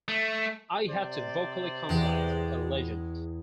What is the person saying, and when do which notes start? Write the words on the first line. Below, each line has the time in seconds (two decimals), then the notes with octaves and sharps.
I had to vocally conduct a legend.
0.08 A3
0.90 C3 C5 D5
1.89 E2 G#3 G5 A6